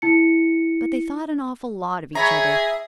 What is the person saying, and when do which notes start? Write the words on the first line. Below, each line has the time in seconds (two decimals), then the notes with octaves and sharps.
But they thought an awful lot of each other.
0.02 E4 C#7
2.15 G#4 C#5 E5 A#5 B5